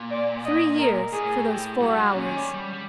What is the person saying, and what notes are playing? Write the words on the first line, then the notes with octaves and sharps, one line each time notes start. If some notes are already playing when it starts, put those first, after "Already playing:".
Three years for those four hours.
Already playing: A#2
D5
D#5
A#4
A2 G#4
G4
G2 F#4
G#2
A#2 C#4
D#3
G3
G3
G3